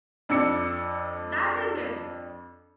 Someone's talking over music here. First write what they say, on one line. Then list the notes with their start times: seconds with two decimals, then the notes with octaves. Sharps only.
That is it.
0.29 F2 D4 E6 C#7